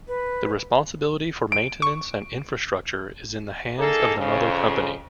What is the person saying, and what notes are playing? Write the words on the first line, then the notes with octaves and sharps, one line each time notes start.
The responsibility for maintenance and infrastructure is in the hands of the mother company.
B4
D7
C#6
A#3 D#4 G#4 A4
F2 C#3